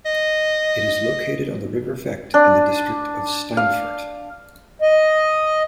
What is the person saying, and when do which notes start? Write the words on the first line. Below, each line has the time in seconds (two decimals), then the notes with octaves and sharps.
It is located on the river Vechte in the district of Steinfurt.
0.06 D#5
2.34 D4
3.57 F5
4.82 D#5